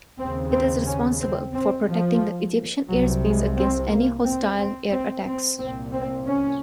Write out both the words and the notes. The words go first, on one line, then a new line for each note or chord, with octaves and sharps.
It is responsible for protecting the Egyptian airspace against any hostile air attacks.
D#2 C#3 C4
C4
C#4
C4
C4
F3
C2 C3 F#3
G#3
C4
A#3
C4
C4
C4
C4
C2 A#2 C4
C4
C#4